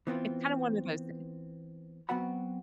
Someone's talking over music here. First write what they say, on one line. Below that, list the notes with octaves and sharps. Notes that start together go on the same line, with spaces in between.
it's kinda one of those thing
E3 B3 C4 F4
F#3 B3 C4 F#4 F#5 B5